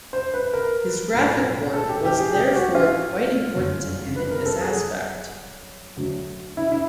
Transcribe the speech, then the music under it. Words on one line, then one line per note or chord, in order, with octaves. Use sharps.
His graphic work, was therefore quite important to him in this aspect.
C5
B4
A#4
B1 A2 F3
A4
G4
G4
G#4
G4
F#4
F4
G1 F#2 D3 G3
B4
A#4
A4
G#4
D2 D3 F#3 A3
E4
E4